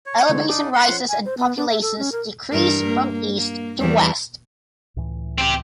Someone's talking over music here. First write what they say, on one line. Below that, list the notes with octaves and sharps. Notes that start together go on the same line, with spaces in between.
Elevation rises and populations decrease from east to west.
C#5
D3 E3 G#3
D4 D#4 D6
F#5 C6
F3 C#4
G#5
C5
B3
D4
E5
A4
C#4
A#4
G2 E3 A#4
A#3
A#3
E2 E3 G3
C#2 A2 E3
C4 G4